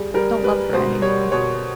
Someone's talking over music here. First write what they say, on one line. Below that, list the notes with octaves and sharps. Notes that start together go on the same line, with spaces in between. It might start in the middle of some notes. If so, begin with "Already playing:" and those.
Don't love her any more.
Already playing: G3 G#4
G3 A#4
G3 B4
B2 C5
G3 C#5
B2 C#5